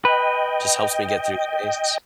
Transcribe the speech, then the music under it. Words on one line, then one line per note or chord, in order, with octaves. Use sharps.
just helps me get through the days.
B4 D#5 G5